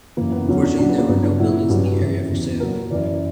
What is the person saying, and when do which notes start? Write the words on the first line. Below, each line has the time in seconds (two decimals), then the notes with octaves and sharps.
Unfortunately there were no buildings in the area for sale.
0.17 F#2 E3 A#3
0.32 B3
0.48 E2 D3 F#3 C#4
0.63 D4
0.78 A#2 F#3 D4
0.88 B3
0.98 A#3
1.08 G2 F#3 B3
1.23 D4
1.39 A#2 F#3 E4
1.69 G2 F#3 G4
1.77 F#4
1.85 G4
2.00 F#2 E3
2.29 E2 C#3 E3
2.60 A#2 F#3 A#4
2.91 F#2 E3 D5